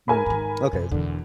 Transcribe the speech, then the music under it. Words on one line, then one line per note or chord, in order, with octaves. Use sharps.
Mm. Okay, I see
A#4 G#5 B5
G#2 D#3
F#2 C3
E2 B2 D3